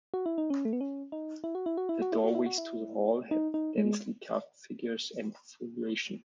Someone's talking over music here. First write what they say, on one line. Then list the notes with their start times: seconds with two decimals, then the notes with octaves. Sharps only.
The doorways to the hall have densely carved figures and foliation.
0.14 F#4
0.26 E4
0.38 D#4
0.50 C#4
0.65 A3
0.73 B3
0.81 C#4
1.12 D#4
1.44 E4
1.55 F#4
1.66 E4
1.77 F#4
1.89 E4
2.02 F#4
2.12 E4
2.24 F#4
2.35 E4
2.46 F#4
2.58 E4
3.31 D#4
3.54 D#4
3.78 G#3